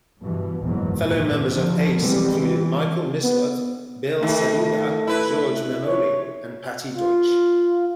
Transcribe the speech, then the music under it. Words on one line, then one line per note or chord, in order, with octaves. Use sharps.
Fellow members of Ace included Michael Mislove, Bill Saluga, George Memmoli, and Patti Deutsch.
G2 B2 E3
F#1 E2 G#2 B2 E3 F#3
A#2 D#3 E3
D3 D#3 F3
B2 E3 G3 G#3 B3 C4
E3
B3
D#3 A3
E4 B4
C#5
F4